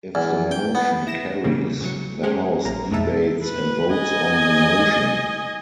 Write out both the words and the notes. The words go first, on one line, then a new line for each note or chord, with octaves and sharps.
If the motion carries, the House debates and votes on the motion.
E2
G5
B3
E4 A#6 E7
E2 G#2 C#3 G3 A#3 C4
A1 C#3 F#3 C#7
G#3 C#4 G4 G#4 C5
A#1 A#2 A#3 A#5
F2 B2 G#3 D#4 E5 A5
B4
D#5 G#5